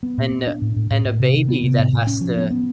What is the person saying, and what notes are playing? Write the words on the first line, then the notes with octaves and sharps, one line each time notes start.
And a and a baby that has to
B3
A#2
B3
D4
A2
A2
A2
A2
C3
D#3
B3
C3
A2
A2
C#4
F3
B3
B3